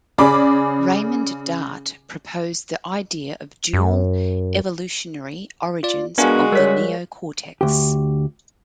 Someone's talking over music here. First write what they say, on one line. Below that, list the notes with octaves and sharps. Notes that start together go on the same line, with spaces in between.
Raymond Dart proposed the idea of dual evolutionary origins of the neocortex.
C#3 G#4 D5 B5 D6
F#2
F4 D5
G#3 B3 D4 F#4 A#4 D5 F5 G#5
G3 A#4 C#5 B6
D2 G4